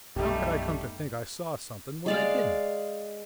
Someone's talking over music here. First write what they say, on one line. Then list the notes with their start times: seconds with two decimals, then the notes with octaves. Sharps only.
How could I come to think I saw something when I didn't?'
0.16 B1 F#2 B2 G3 A3 D#4 G4
2.06 G#3 D5 F5